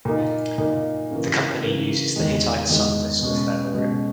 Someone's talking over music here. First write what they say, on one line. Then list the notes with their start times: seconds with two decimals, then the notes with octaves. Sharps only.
The company uses the Hittite sun disk as their logo.
0.05 A#2 A#3 D#4
0.58 A#2 A#3 D#4
1.11 C#3 E3 A#3
1.63 C#3 E3 A#3
2.16 E2 D#3 G#3
2.68 E2 D#3 G#3
3.21 B2 G#3 C#4
3.74 B2 G#3 C#4